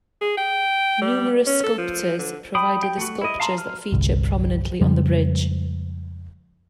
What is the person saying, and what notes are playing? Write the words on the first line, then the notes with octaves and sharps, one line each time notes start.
Numerous sculptors provided the sculptures that feature prominently on the bridge.
G#4
G5
G3
C#4
A4
F3
D3
G5 B5 D#6
G5
A3 F#4
E4 D#5
F5 A5 A#5 C6
F6
G1 C2
F2 C#3 G3 G#3